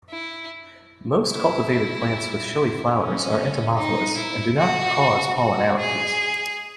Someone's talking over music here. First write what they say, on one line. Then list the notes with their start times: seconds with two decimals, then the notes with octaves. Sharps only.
Most cultivated plants with showy flowers are entomophilous and do not cause pollen allergies.
0.10 E4
1.32 E4
2.94 C#4
3.76 D#4
4.17 E4
4.58 F#4
5.38 F#4
5.79 G#4